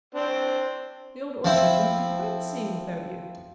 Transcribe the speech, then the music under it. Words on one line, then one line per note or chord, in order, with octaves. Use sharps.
The Old Orchard wouldn't be quite the same without you.
C4 D4
F3 C4 E4